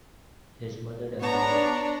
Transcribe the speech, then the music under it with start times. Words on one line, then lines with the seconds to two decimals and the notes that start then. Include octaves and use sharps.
His mother died early.
1.20 B3 D4 C#5 A#5